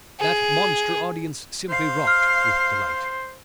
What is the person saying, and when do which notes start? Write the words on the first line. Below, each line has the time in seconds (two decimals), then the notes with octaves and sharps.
That monster audience simply rocked with delight.
0.20 G#4
1.69 C5 F5
2.07 F6